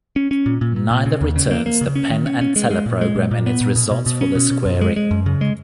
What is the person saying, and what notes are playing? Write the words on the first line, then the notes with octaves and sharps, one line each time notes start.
Neither returns the Penn and Teller program in its results for this query.
C#4
C#4
A#2
A#2
A#2
A#2
C#3
D#2
C#3
A#3
A#3
C#3
C#4
D#3
C#4
C#4
G#3
G#3
A#2
G#3
A#2
A#2
B3
A#2
B2
B2
B2
C#4
B2
B2
F#2
G#3
G#3
F#2
C#3
G#3